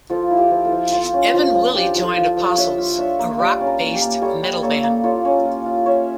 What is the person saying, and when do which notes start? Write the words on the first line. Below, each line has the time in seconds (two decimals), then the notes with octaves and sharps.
Evan Willey joined Apostles, a rock-based metal band.
0.10 F3 F4 A4
0.31 E4
0.37 G4
0.51 F3
0.65 F4 A4
0.72 F3
0.92 F3 F4
1.13 C#4
1.34 F3 F4
1.54 F3
1.75 D4 G4
1.95 F3
2.02 F4 A4
2.17 F4
2.37 F3
2.57 D4 C#5 E5
2.78 F4
2.98 D4 C#5 E5
3.19 A#3
3.39 G3 D5 F5
3.61 C#4
3.67 A#4 D5
3.80 A#3
3.95 G4
4.01 A#3
4.22 G3 A4 C#5
4.43 G3
4.63 A#3 A4 C#5
4.84 A#3
5.04 F4 A4 C#5
5.25 C#4
5.45 F4
5.66 F4
5.86 C#4 C#5 E5